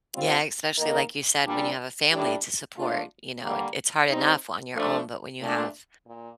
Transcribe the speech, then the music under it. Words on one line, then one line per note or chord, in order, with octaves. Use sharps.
Yeah, especially, like you said, when you have a family to support, you know, it it's hard enough on your own, but when you have
G3 C4 F4 C5
D#3 A#3 D#4 A#4
A#2 G3 D4
A2 G3 D4 G4
A3 D4 F4
D3 G3 A#3
G3 C4 D#4
F3 A3 D4
A#2 A3 D4 A4
A#2